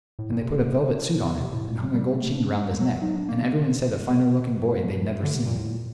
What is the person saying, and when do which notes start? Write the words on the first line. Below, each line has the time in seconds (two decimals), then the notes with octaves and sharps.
And they put a velvet suit on him, and hung a gold chain round his neck, and everyone said a finer-looking boy they'd never seen.
0.19 A2
0.32 A#2
0.46 C3
1.40 C3
1.54 A2
1.67 A#2
1.81 G3
1.94 G3
2.08 A3
2.21 A#3
2.34 D4
2.48 C4
2.55 A3
2.61 G3
2.81 F#3
3.02 D#4
3.15 D4
3.29 A#3
3.42 C3
5.04 A2
5.23 D3
5.35 C3
5.46 A#2
5.58 A2
5.71 A#2